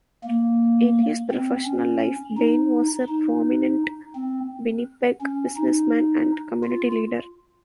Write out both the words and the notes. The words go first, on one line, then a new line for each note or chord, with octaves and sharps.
In his professional life Bain was a prominent Winnipeg businessman and community leader.
A#3
C4
C#4
D#4
D#4
C4
C#4
D#4
F4